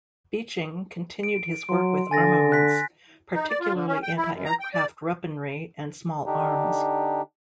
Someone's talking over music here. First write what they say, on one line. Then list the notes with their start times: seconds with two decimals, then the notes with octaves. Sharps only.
Beeching continued his work with armaments, particularly anti-aircraft weaponry and small arms.
1.23 D7
1.69 F#3 C6
2.11 D3 G#5 A6 A#6
2.52 F#6 B6
3.33 D#4
3.49 D5
3.60 F4
3.73 D3
3.87 C#4
4.03 G5
4.17 E4
4.32 F#2
4.45 A#5
4.60 G5
4.74 D5
6.26 D3 D4 D#4 G4